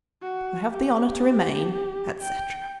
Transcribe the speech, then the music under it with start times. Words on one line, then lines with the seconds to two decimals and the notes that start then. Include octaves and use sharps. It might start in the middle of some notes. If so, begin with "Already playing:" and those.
I have the honour to remain, etc.
0.22 F#4
0.73 G4
2.21 G5